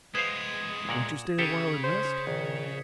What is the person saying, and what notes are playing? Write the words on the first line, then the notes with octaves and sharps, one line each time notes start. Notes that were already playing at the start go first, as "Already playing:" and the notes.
"Won't you stay awhile and rest?"
G#3 B3 B4 C5 F5 D#6 G#6 E7
A#2 A#4 F#5
C#3 G4 A4 F5 G#6 B6 C#7
C5
A#1 D#3